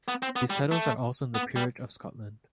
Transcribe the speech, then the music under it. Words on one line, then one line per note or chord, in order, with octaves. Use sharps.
These titles are also in the Peerage of Scotland.
B3
C4
B3
G3
A3
B3
G3